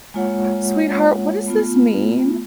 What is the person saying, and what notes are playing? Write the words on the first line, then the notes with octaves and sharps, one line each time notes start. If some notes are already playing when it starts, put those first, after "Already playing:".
"Sweetheart, what does this mean?"
G#3 A#3 F4 C#5 F#5
A3 B3 F4